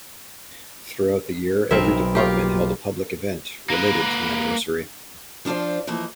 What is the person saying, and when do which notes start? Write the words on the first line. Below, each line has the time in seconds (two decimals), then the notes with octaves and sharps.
Throughout the year, every department held a public event related to the anniversary.
1.71 B1 C4 A#4 E5
2.15 A#3 F4 G4
3.70 A#3 B4
5.45 F3 D4 F4 C5 D5
5.87 E3 F3 A3 A#3 D#5